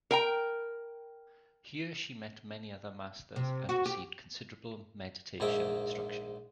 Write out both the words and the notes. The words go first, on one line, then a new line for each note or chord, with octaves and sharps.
Here she met many other masters and received considerable meditation instruction.
A#4 G5 A#5
C3
F#4
G4
A#1 G#2 G#3 D#5 E5 D6